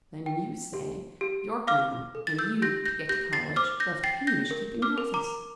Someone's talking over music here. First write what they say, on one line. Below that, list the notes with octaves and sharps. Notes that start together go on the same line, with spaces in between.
Then, you say, Yorke went out; and you, to get to college, left Hamish keeping office!
G5
G4
G4
F5 D6 F6
A4
A6
E6 G6
G4 G6 A#6
G6 A#6
G4 G6 A#6
A6 C7
C5 D6 F6
G6 A#6
G5 A6 C7
G6 A#6
A#4
D6 F6
A#4
A#5 D6